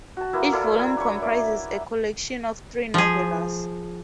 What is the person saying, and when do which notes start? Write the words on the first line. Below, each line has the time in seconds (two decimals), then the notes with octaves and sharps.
Each volume comprises a collection of three novellas.
0.17 F#4 A5
0.33 A#3 B3 E4
0.52 A#3 E4 A4 D5
0.77 A#4 G#5
0.97 D4 C#5 B5 C#6
1.22 A#3 D5 E5
2.94 F3 G#4